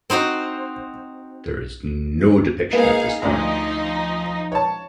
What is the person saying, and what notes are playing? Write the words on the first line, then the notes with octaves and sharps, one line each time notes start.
There is no depiction of the Snark.
C4 D#4 F#4 C5
A#3 B3 D#4 G#4 F5
D2 F3 D#4 D5 A#5
C#5 A5